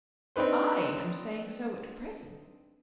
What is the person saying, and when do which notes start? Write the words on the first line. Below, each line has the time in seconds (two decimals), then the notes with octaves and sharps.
"I am saying so at present."
0.36 C4 D4 D#4 B4 C5